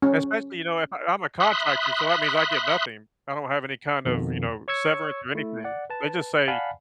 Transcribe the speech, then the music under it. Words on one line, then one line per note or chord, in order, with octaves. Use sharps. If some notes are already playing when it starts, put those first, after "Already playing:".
Especially, you know, if I'm a contractor, so that means I get nothing I don't have any kind of, you know, severance or anything. They just say,
C#4
E5 B5 C6 D#6 F#6
F2 B2 D#3
C#5 C#6 E6 G#6 C#7
A3 E4
D5 F#5
B4 A5
D5 F5 F#5 G#5 A5 B5